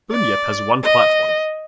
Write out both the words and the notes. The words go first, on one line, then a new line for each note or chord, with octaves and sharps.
Bunyip has one platform.
D5
D#5